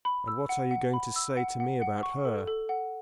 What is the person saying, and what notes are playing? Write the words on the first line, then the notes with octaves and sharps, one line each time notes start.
"And what are you going to say to me about her?"
B5
E6
F#5
F#5
B5
E6
F#5
F#5
F#5
C#6
A4
A4
F#5